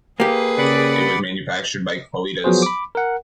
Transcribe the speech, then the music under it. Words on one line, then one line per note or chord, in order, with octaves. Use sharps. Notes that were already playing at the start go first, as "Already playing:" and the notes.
It was manufactured by Qualitas.
A#3 G4 G#4 B4
C#3 D5 F#5 B5
F3 F#3 B3 F#4 G#4 C5
B5 D6
A#4 F#5